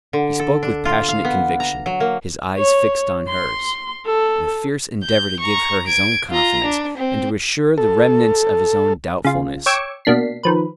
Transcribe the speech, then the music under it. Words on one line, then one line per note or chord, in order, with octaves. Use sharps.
He spoke with passionate conviction, his eyes fixed on hers, in a fierce endeavour to give her his own confidence, and to reassure the remnants of his own doubtfulness.
D3
A4
D4
F4
F5
B3
A#5
F#3
A#3
C#5
C6
A4
G6
A#5 C#6
G#6 D7
F4 A#5
D4
C4
A4
C#3 F4
C#5 G5 D6 E6 G#6 C#7
B2 A#3 D4 B6 C7
D#3 F3 B4